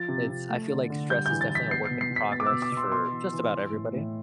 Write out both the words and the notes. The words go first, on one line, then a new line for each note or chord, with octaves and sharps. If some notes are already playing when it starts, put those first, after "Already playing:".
it's I feel like stress is definitely a work in progress for just about everybody,
Already playing: F3 A6
C3
C3
A3
D3
D3
G3 G6
E3 G6
A6
E3
B6
B3 C7
C7
B2
C7
B2
B6
B3 A6
D6
B2 E6
D6
B2
C6
B3 C6
E3
E3
E3
A2
A2